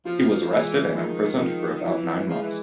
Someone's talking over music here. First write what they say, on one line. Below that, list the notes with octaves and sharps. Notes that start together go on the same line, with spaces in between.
He was arrested and imprisoned for about nine months.
F3 F4
E3 G#3
D#3 F3
F3
E3 E4
F3 G#3
E3